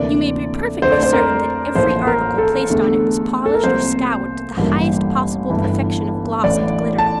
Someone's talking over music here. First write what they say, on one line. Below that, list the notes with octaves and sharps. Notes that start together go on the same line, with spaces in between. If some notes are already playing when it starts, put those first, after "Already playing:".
You may be perfectly certain that every article placed on it was polished or scoured to the highest possible perfection of gloss and glitter.
Already playing: D2 C3 E3 A#3 D5
F2 D3 A3 C5
D5
C5
A#4
A1 A2 F3 A#3 C5
A#4
A4
E2 D3 A3
A4
A#4
C2 C3 F3 A#3 C5
A1 G2 E3 G3 A#3
G1 G2 E3
A1 A2 E3 A3 D5
A5